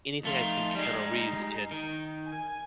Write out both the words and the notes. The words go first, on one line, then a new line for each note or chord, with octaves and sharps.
anything I've seen Keanu Reeves in
F2 A3 D#4 F4
G3 G#3
D#3
G#5